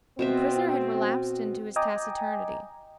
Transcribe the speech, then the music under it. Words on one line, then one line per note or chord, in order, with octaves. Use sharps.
The prisoner had relapsed into his taciturnity.
B2 C4 C5 E5
D#5 G5 G#5 A#5 D6 D#6